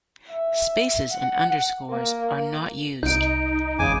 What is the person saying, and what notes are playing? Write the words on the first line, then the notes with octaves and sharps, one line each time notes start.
Spaces and underscores are not used.
E5
F#5
A#3
C2 D#4 G6 D7
G#1 E2 C#3 G#5 D6